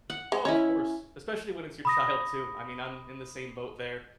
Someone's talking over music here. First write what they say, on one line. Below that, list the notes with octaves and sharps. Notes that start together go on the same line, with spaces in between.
Oh, of course. Especially when it's your child, too. I mean, I'm in the same boat there.
F#5
G#3
C#4 E4 C#5 D#5
B5 D#6 A#6